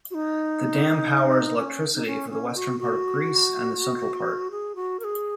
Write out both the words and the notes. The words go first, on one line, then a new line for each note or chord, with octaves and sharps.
The dam powers electricity for the western part of Greece and the central part.
F#4
D#4
C#4
D#4
C#4
C#4
F#4
F#4
G#4
F#4
A#4
G#4